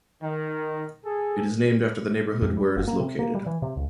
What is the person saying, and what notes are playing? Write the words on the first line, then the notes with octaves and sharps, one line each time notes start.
It is named after the neighborhood where it is located.
D#3
G#4 A4
F2
G3
F#1
A#3
C3
A#3
G3
E3
C3
C#2